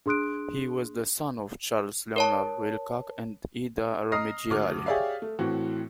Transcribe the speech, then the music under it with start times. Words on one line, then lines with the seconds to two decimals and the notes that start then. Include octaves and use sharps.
He was the son of Charles Leonard Wilcock and Ida Romegialli.
0.06 D4 G#4 C6 D#6 F#6 D7
2.16 A#4 C#5 A5
4.12 D#5 A#5 D#6 F6 A#6 C7
4.50 D2 D6 F6
4.86 G4 G#4 C#5 D5 E5 F5
5.22 A3
5.39 A2 E3 C4 F#4